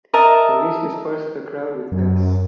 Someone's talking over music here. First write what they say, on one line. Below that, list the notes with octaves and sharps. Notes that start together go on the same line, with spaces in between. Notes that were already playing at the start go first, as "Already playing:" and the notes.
Police dispersed the crowd with gas.
A#4 D#5 E5 A5
F#2